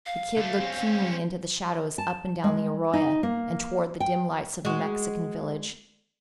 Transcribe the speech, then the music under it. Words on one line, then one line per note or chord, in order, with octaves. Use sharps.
The Kid looked keenly into the shadows up and down the arroyo and toward the dim lights of the Mexican village.
F5
D3 A3
C4 C#4
A5
G#3
D#4
A#3
G5
G#3 F#4